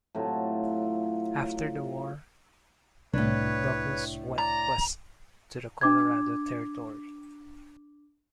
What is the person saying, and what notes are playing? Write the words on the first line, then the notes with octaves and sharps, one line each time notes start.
After the war Douglas went west to the Colorado Territory.
A2 C3 F#3 F4
C2 A2 D4 B4 C#5
D5 A#5
D4 D6 G#6